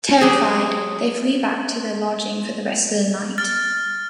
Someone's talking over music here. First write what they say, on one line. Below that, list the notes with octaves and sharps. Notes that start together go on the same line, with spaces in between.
Terrified, they flee back to their lodging for the rest of the night.
F#3 G4 G#4
F6 A6